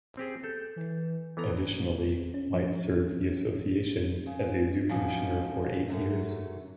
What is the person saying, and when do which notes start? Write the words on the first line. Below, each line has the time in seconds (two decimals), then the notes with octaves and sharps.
Additionally, White served the association as a Zoo Commissioner for eight years.
0.17 C4 G4 G#4
0.44 A4 G6
0.76 E3
1.37 E3 B3 A4 A#5
2.34 C#4
2.53 F3
4.26 C#3
4.89 E3 F3 C#4 D#4 F#4
5.88 F#2 F#3 A3